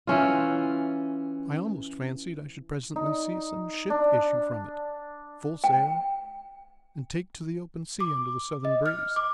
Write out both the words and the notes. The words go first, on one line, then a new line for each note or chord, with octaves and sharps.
I almost fancied I should presently see some ship issue from it, full sail, and take to the open sea under the southern breeze.
E3 C#4 F4
D#4
D4
G5
D6
D#5
F6
D6